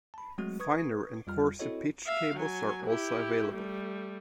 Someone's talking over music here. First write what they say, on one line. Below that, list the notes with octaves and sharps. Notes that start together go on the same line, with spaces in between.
Finer and coarser pitch cables are also available.
A5 B5
F#3 G#3 A3 C4 F#4
B4 C#6 D#6 G#6
F2 G3 F4 F6
C4 E4 F#4 A4 C#5 D#5
E5 F5
F#3 G#5
E4 G4
G3 A3